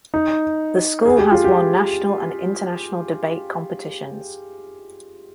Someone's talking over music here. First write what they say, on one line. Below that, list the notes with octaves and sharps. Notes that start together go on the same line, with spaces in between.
The school has won national and international debate competitions.
D#4
G#4
G4
F4
G4